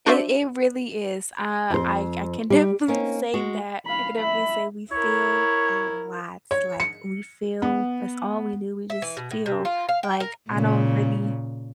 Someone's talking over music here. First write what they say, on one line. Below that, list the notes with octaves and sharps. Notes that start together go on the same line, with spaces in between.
It it really is. Uh, I I can definitely say that I can definitely say we feel a lot, like, we feel that's all we do. We just feel like, I don't really
D4 F#4 C5 D5 E5
F2 C5
G3
A#3 C4 C#4 D#4
G#3 F#4
F5 B5
E5 B5
E4 A#4 C#5
C#5
C#7
B3
E5
E3
B2
A2
C3
F4
F5
G5
A#4
A#2 C#3